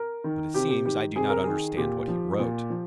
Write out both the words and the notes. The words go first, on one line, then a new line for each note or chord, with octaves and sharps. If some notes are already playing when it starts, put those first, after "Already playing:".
But it seems I do not understand what he wrote.
Already playing: A#4
D#3
C3 G4
G4
D#3 G4
C3 G#4
A#4
D#3 G#4
A#2 G4
F3
A#2
F3